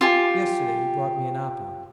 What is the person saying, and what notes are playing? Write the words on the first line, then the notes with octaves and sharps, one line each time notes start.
Yesterday he brought me an apple.
F4 G4 G#5